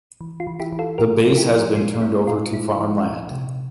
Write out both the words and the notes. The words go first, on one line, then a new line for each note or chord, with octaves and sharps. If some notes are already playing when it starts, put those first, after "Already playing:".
The base has been turned over to farmland.
E3
F4
E3
E4 G4
E3
F4 A4
A2 G4 A#4
F3
E4 G4
F3
A#2 F4
C4 E4
A#2 F4
A#2 E4
F3
A#2
C3